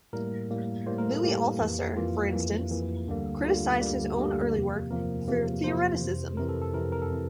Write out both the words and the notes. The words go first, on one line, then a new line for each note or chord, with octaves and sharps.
Louis Althusser, for instance, criticized his own early work for theoreticism.
A2 G3 A#3 A#4
A2 G3 A#3
A2 G3 A#3 C5
A#4
A4
A2 G3 A#3 G4
F2 E3 A#3
F2 E3 A#3 F4
F2 E3 A#3
F2 E3 A#3
D2 D3 G3 A#3
D2 D3 G3 A#3 F4
D2 D3 G3 A#3
D2 D3 G3 A#3 G4
E2 C3 F3 A#3
E2 C3 F3 A#3 A#4
E2 C3 F3 A#3
E2 C3 F3 A#3 C5
F2 C3 E3
F2 C3 E3 A#4
A4
A4
F2 C3 E3 A#4
A#4
A4
C3 E3